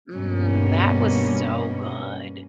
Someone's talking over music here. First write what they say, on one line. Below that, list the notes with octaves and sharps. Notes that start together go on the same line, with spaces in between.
"Mm, that was so good."
G2 B2 A#3 C#4